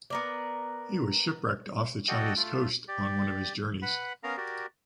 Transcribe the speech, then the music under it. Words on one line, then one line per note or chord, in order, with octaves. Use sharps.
He was shipwrecked off the Chinese coast on one of his journeys.
B3 A#4 D5
F#4 A4 D5 D#5 F#5 G5
A3 F4
G4 D5
B4 F#5 B5
B3 C#4 A#4 F5 A#5
F#4 G4 A#4 D5